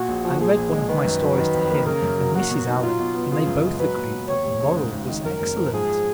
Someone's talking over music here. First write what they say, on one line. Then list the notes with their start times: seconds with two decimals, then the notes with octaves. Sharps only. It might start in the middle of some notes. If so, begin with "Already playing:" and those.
I read one of my stories to him and Mrs. Allan and they both agreed that the moral was excellent.
Already playing: A#2 F#4
0.08 A#1
0.25 F3
0.40 A#2 G#4
0.56 A#1
0.72 G#3
0.89 D#3 B4
1.05 F#2
1.22 F#3
1.38 D#3
1.54 F2
1.70 A#3
1.86 C#3 A#4
2.02 F#2
2.18 F#3
2.35 A#3 F#4
2.50 B2
2.67 D#4
2.83 F#3 F4
3.00 B2
3.15 B3
3.32 C#3 F4
3.47 F#2
3.63 G#3
3.79 F#3 B4
3.96 A#2
4.13 B3
4.28 D#2 C#5
4.45 F1
4.61 C#3
4.76 G#2
4.93 G#1
5.09 D#3
5.25 F#2 A#4
5.41 F#1
5.57 F3
5.73 G#2 G#4